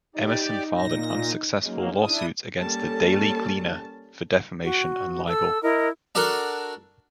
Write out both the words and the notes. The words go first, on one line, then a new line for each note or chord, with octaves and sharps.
Emmerson filed an unsuccessful lawsuit against the "Daily Gleaner" for defamation and libel.
D#4 G4 D5
A#2 A#6
F#3 G#3 A#3 C#4 D#4
D4 E4 D#6
G3 A#3 C#4 A4 A5
F#4
A4 E6
E4 A#4 D#5
D4 F#4 A4 A#4